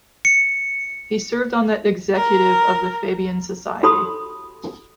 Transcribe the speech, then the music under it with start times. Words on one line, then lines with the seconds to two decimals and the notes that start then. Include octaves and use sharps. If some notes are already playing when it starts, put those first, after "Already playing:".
He served on the executive of the Fabian Society.
0.25 C#7
2.15 A#4
3.83 F#4 G4 A4 B5 C6 D#6